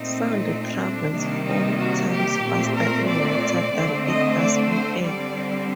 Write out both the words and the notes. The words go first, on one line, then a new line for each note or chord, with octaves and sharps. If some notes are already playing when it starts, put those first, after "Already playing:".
Sound travels four times faster in water than it does in air.
Already playing: A#2 A3 C4 D#4
D4
C3 D#3 G3 A#3
D#4
F#4
G4
A#2 A3 C4
A#4
D5
D3 A3 C4
D#5
D5
C5
D3 G3 C4 D5